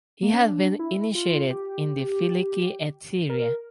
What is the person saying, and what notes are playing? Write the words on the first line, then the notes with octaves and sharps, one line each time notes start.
He had been initiated in the Filiki Eteria.
A#3
C#4
D4
E4
F4
G4
A#4